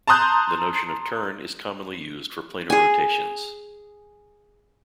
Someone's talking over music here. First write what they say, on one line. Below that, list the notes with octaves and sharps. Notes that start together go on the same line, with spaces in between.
The notion of turn is commonly used for planar rotations.
A5 A#5 C6 D#6 F#6 G6
G#4 G#5